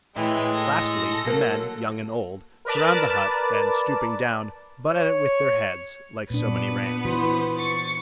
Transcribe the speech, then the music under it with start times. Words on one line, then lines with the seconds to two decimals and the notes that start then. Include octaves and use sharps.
Lastly, the men, young and old, surround the hut, and, stooping down, butt at it with their heads, like so many rams.
0.16 A2 E3 G#3 G5
0.55 A4 A#6
1.25 F#3 A#3
2.65 A#4 B4 D5 A5
4.90 C#5
6.30 A#2 B3 D4 B4
7.05 E3 F#4 C5 B5
7.57 C#6 A6